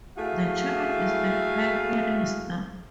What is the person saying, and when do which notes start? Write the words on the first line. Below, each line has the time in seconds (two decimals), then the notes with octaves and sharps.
The chairman is the prime minister.
0.16 A3 E4 F#4 G#4 E5 F5